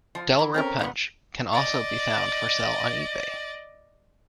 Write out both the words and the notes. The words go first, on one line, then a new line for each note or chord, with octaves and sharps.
Delaware Punch can also be found for sale on eBay.
F3
E3
C4 C#4 A#4
A#2 D3 B3
D5 D#5